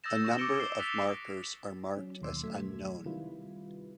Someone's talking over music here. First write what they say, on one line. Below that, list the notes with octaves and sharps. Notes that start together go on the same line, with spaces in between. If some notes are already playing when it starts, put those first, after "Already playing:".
A number of markers are marked as unknown.
D#6 E6 G6 A6 A#6 E7
C#6 A#6 E7
D6 E6 A#6 C#7 D7 G7
C7 G7
D#6 F#6 A6 B6 E7 F7
F#3 C#4
D#2 B2 C6 D6 E6
F#3 A3 G#6 B6
C3 D#3 G3 E4 F4 B4